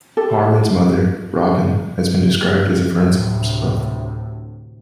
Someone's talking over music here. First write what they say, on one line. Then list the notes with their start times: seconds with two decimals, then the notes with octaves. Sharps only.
Harman's mother, Robin, has been described as a forensics buff.
0.17 G4 A4
3.00 D2 A2 C3